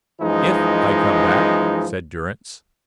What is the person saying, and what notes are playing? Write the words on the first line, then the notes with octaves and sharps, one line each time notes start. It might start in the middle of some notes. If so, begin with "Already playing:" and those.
"If I come back," said Durrance.
F#2 E3 F3 G#3 D#4